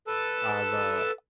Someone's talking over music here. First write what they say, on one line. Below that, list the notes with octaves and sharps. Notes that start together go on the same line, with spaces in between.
I've, uh
A4 B4 A5 E6